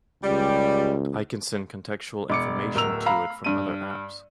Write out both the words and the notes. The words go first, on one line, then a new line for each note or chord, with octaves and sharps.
I can send contextual information to it from other apps.
C#2 G3
E1 D6 C#7
D1 A#4 E6 F7
F5 A#5 B5
G2 D#7